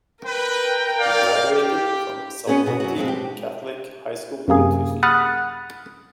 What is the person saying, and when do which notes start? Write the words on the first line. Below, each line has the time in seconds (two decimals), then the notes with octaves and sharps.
He graduated from Salpointe Catholic High School in Tucson.
0.25 A#4 B4 G5
0.99 D5 F5
1.51 G4
2.47 B3 C#4 F#4 G#4
2.66 B2 F#4
2.80 F#2 F#4
2.96 B2 F3 G#3 C4
3.08 G4
4.48 F#2 C3 A#3 G#4
5.03 F#5 B5 D#6 F6 F#6 A6